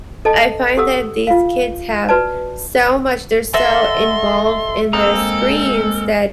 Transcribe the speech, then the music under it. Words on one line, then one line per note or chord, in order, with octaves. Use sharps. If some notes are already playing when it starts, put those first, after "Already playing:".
I find that these kids have so much, they're so involved in their screens that
A4 D#5 A5
G4 A4 F#5 D#6 E6
F4 F5
F#4 B4 D5 A5
A4 D#5 E5 F#5 C6
G#3 A#3 C4 A4 A#5